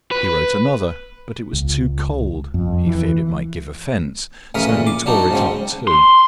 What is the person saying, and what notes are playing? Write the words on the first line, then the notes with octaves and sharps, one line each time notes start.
He wrote another, but it was too cold; he feared it might give offence, so he tore it up, too.
B4
C#2
F2
E3
A1 C#3 A#4 E5 D#6
A#2
D6
F#3 D4 D#4
G#2 C#3 C4
C6